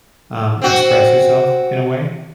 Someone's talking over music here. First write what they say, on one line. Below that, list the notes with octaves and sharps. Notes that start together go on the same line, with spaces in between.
um, express yourself in a way.
C4 F#4